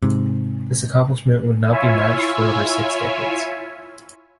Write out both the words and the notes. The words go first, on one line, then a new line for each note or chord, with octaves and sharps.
This accomplishment would not be matched for over six decades.
G#2 C3
E4 F4 C#5 E5 G#5